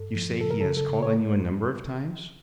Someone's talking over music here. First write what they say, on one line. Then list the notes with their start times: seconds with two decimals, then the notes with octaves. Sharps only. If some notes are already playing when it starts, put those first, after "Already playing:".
"You say he has called on you a number of times?"
Already playing: G2 A4
0.16 F3
0.41 C#3 A4
0.51 A#4
0.61 C#3 A4
0.77 A4
0.89 C#3
1.03 C#5